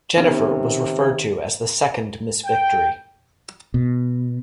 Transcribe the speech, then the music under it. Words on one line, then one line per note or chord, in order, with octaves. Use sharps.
Jennifer was referred to as the second Miss Victory.
C3 D#3 B3 C#4
G5
B2